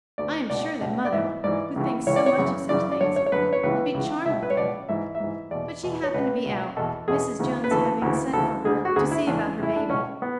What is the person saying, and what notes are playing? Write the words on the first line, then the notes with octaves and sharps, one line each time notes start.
I am sure that mother, who thinks so much of such things, would be charmed with him but she happened to be out, Mrs. Jones having sent for her to see about her baby.
D2 D3 D5
C#2 B2 D5
C#2 B2
D5
G#2 E3 E5
G#2 E3 D5
C#2 C#3 E3
C#2 C#3 E3 C#5
D5
C#5
F#2 C#3 E3
F#2 C#3 E3 D5
D5
F#2 D3 C#5
C#5
C#5
F#2 D3 B4
C#5
C#2 C#3 E3 B4
C#2 C#3 E3
C#2 B2 E5
B4
C#5
C#2 B2 D5
G#2 E3 E5
E5
G#2 E3
E2 B2 D5
E2 B2
C#5
C#2 B2 B4
C#2 B2
E2 B2 A4
E2 B2 G#4
D2 C#3 E3
B4
D2 C#3 E3 A4
D2 C#3 E3
D2 C#3 E3 A4
D2 D3 G#4
F#4
D2 D3 G#4
E4
E2 C#3 E3 D4
E2 C#3 E3 E4
D4
C#2 B2 C#4
B3